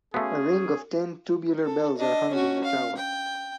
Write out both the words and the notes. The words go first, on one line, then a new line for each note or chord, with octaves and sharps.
A ring of ten tubular bells are hung in the tower.
A3 B3 C#4 F#4 G#4 C#5 F5
A4
D4 D#5
C#4 F#4
F5
G5